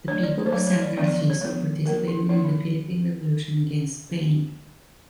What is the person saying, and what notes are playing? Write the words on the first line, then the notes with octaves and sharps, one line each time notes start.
The people of San Narciso participated in the Philippine Revolution against Spain.
F#3 A3 D4 C#5
D5
C#5
C5
F#3 A3 D4 C#5
C#5
D5
F3 G#3 B3 D4 D5
D5
D5
C#5
F3 G#3 B3 D4
F3 A#3 D4 A#4
E4
F3 A#3 D4 E4
D#4